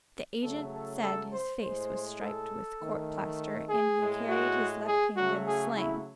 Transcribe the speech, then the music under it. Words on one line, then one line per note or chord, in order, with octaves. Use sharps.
The agent said his face was striped with court-plaster, and he carried his left hand in a sling.
C#3 F#3 A3 A4
A4
A4
C5
A2 G#3 C5
A4
D#3 A3
G#4
A2 G#3
F#4
G#4
C#3 F#3 A3 F#4
G#4
E4